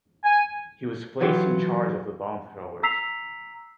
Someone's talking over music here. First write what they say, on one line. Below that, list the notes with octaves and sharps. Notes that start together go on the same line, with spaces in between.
He was placed in charge of the bombthrowers.
G#5
E3 F#3 F4 G4
A#5 E6 B6 C7 F7